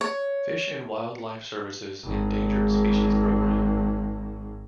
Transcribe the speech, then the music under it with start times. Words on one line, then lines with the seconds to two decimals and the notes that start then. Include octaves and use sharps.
Fish and Wildlife Service's endangered species program.
0.01 C#5
2.04 G#1 G#2